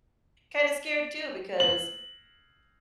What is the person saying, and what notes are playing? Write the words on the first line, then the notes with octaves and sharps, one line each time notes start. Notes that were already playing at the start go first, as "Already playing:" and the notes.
kind of scared too because
F#7